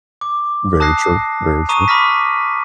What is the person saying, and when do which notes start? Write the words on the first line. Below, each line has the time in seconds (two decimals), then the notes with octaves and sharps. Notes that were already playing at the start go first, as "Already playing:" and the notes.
Very true. Very true.
0.21 D6
0.80 A5 D#6 F#6 A#6 C7
1.69 A#5 C#6 D#6 D#7
1.88 B5 D6 F6 A#6 B6